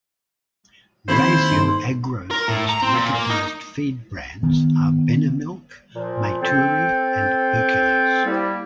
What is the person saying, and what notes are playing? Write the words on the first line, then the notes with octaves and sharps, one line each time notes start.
Raisioagro's most recognised feed brands are Benemilk, Maituri and Hercules.
D#2 C4 E4 A4 C5 B5
G2 D#4 C6
A#4
A2
A#5
C4
A#2
A#3
D#4
D#3 B3
A#2 F3
C4 A4 G5
G3 A#3 E4